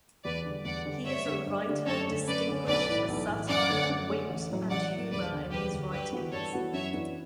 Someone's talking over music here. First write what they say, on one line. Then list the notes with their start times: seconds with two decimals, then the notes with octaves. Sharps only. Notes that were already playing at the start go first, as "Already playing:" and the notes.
He is a writer distinguished for satire, wit and humour in his writings.
0.24 E2 B4 D5
0.45 D3 G3
0.65 E2 D5 F#5
0.85 D3 G3
1.05 G2 C#5 E5
1.26 D3 A3 D4 G4
1.46 G2
1.67 D3 A3 D4 G4
1.86 F#2 A4 C#5
2.07 D3 A3 C#4
2.27 F#2 B4 D5
2.48 D3 A3 C#4
2.67 B1 B4 D5
2.88 A2 E3
3.08 B1
3.28 A2 E3
3.48 F#2 D5 F#5
3.70 D3 A3 C#4
3.89 F#2
4.09 D3 A3 C#4
4.30 A1
4.50 A2 F#3
4.70 A1 D5 F#5
4.91 A2 F#3
5.11 E1 B4 D5
5.31 D2 D3
5.51 E1 G4 B4
5.71 D2 D3
5.92 G2 G4 B4
6.12 E3 B3 F#4
6.32 G2 A4 C#5
6.53 E3 B3 F#4
6.73 F#2 C#5 E5
6.93 E3 B3 D4